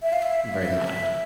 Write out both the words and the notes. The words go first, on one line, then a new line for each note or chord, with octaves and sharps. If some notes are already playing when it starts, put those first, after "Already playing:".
very much.
E5
F5
E5